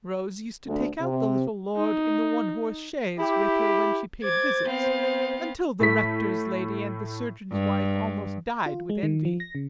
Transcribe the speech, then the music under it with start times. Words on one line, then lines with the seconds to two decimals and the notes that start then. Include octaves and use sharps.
Rose used to take out the little Lord in the one-horse chaise with her when she paid visits, until the Rector's lady and the Surgeon's wife almost died with envy.
0.67 D2
1.00 C3
1.76 D#4
3.18 E4 G4
4.23 C5 D6 G#6 A6
4.69 B3 C4 F5
5.80 A2 A3 B6
7.52 G2
8.66 F4
8.90 G#3
9.03 D#3
9.25 F3
9.40 A#6
9.55 C#3